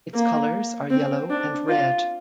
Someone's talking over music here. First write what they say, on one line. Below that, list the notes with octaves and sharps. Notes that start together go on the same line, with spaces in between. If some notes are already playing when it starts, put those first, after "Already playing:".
Its colours are yellow and red.
A#3
C4
D4
F4